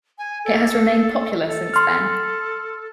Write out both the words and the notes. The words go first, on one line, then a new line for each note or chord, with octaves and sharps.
It has remained popular since then.
G#5
A4
A4
C6 F6